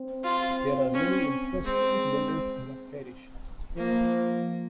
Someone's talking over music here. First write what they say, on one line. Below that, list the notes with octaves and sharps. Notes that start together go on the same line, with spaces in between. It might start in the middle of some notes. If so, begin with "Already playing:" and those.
There are many interesting buildings in the parish.
Already playing: C4
F4
C#4
G#3 C4
F3 A#3